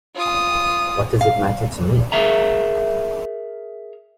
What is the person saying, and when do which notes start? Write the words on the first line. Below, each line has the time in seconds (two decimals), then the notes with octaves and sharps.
What does it matter to me?
0.15 F4 D#6
1.21 F5
2.12 G#4 A#4 E5 A#5